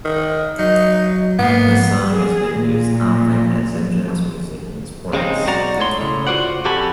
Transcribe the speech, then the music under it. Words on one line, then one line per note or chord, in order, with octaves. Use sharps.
The song has been used often as entrance music in sports.
D#3
F#3 D#4
G#2 A#3 B3
G#4
A#2
C#3 G#3 C4 D#4
B1 F#4 D5 F#5 A#5
A2 G#3 C#5 C6
F2 A2 C#3
F4 F#4 A#4 C5 D5 F#5
F2 F#4 G4 A4 G#5 B5